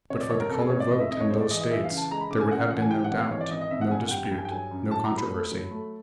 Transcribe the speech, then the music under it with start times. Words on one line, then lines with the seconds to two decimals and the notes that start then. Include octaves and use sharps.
But for the colored vote in those States there would have been no doubt, no dispute, no controversy.
0.10 C3 C#5
0.21 D5
0.31 F1 C#5
0.40 A#4
0.50 F2 A4
0.61 G#4
0.70 C3 C#5
0.80 D5
0.90 F1 D#5
1.00 E5
1.11 F2 D#5
1.21 C#5
1.30 G#3 C5
1.41 D5
1.50 E3 D#5
1.61 D#5
1.71 E3 E5
1.84 F5
1.91 C#3
1.97 A5
2.11 G#3 A#5
2.21 B5
2.30 C#3 D6
2.41 G#5
2.51 C#3 F#5
2.62 F5
2.71 E3 F#5
2.81 G#5
2.91 G3 G5
3.04 F#5
3.11 G#1
3.18 F5
3.31 E3 C#5
3.41 D5
3.51 G#1 D#5
3.61 D#5
3.71 G#1 E5
3.81 F#5
3.91 G2 G#5
4.01 F#5
4.11 G3 G5
4.25 G5
4.31 G2
4.38 G#5
4.45 G5
4.51 F#3 G#5
4.71 F#2
4.91 F#3 A5
5.04 A#5
5.12 F#3
5.17 B5
5.32 A3
5.52 F#3
5.71 A3